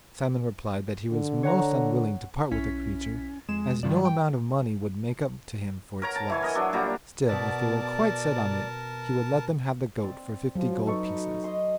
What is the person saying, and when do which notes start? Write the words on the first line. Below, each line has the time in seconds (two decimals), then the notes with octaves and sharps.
Simon replied that he was most unwilling to part with the creature, as no amount of money would make up to him for its loss; still, if they were quite set on it, he would let them have the goat for fifty gold pieces.
1.12 D3
1.43 C#5 F#5 A#5
2.52 B1 C#4 E4 B6
3.49 F2 G#3 E7
3.83 G2 D#3 G3 F4 D5
4.05 G5
6.02 A#4 C#5 A#5
6.16 A5
6.30 E3 C#5 G#5
6.43 A#4 D#5 G#5
6.55 F#3 D4
6.73 A#2 G3 A#5
7.28 B2 A#4 D5 A5 E6 B6
10.03 C4 D5
10.55 F3 F#3
10.87 D#4 A4 B4 C#6
11.44 D#5 C6